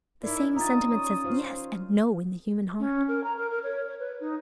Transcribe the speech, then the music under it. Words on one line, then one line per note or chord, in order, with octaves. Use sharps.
The same sentiment says "yes" and "no" in the human heart.
D#4 E4 A#4 D5
D4 F4 A#5 D#6 A6
C#4 C#5
F4 C5 F5
C#4
A#4
A#5
A#4
A#4
C#5
C#5
B4
D#4